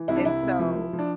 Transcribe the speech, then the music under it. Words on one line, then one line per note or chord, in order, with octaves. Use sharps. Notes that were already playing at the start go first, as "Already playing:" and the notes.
and so
Already playing: E3
C2 E4
D4
C3 E4
C2
F3
F3
F3
D4